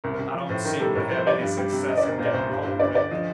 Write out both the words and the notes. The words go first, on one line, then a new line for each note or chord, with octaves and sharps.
'I don't seem to have any success in getting hold of it.
C2 A#4
A#4
C2
F3
A2 C5
D#3 A#4
G3 A4
A2 A#4
F3 C5
G3 D5
G2
G3
C3
D2 D#5
D5
D2 A#4
A#2 C5
D5
C2 C5
G2
G2
D2 D5
D3 D5
F3 D#5